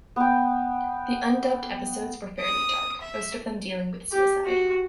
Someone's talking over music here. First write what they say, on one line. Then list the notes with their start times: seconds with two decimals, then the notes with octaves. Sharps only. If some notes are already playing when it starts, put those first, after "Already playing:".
The undubbed episodes were fairly dark, most of them dealing with suicide.
0.16 B3 G5
2.39 D#6
3.01 E5
4.12 G4
4.44 F#4